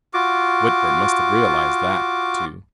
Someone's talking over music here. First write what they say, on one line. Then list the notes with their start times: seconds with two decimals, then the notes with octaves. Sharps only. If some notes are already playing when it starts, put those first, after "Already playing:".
Whitburn must have realized that, too.
0.14 F4 F#4 D6